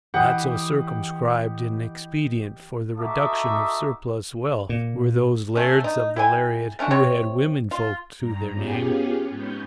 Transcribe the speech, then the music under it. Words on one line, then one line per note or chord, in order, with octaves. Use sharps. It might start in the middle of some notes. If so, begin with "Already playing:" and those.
Not so circumscribed in expedient for the reduction of surplus wealth were those lairds of the lariat who had womenfolk to their name.
E3 G4 D#5 F#5 D#6
D#4 F#4 A4 E5 D6 D#6
A#2
A3 C#4
D#4
E4 G5 G#5
A3 C#4 D4 F#4
C3 C4 C#5
F4
G2 A#5
B3 C#4 F4 G4 G#4
G#2 B3 C#4 G6